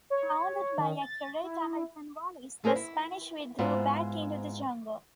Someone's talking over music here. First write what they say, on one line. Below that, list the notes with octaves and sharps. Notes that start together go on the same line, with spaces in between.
Pounded by accurate American volleys, the Spanish withdrew back into the jungle.
C#5
D#3
A6
E4
A3 G#4 A#4 C5
E4
G#2 B3 E4 F4 C5